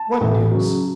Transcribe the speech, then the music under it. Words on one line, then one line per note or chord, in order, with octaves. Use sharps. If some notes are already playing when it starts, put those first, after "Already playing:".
"What news?"
Already playing: A5
A2 E3
C#3 F#3